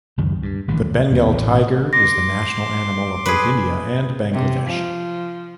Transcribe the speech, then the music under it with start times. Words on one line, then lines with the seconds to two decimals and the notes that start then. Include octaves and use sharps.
The Bengal tiger is the national animal of both India and Bangladesh.
0.18 C#2 F#2 D#3
0.43 G2
0.68 A1 G2 D#3 E3
0.82 D2
1.11 D#2 A#2 B3
1.31 A1
1.93 C6 D6 A#6
3.26 G#4 B4
4.33 C3
4.67 F3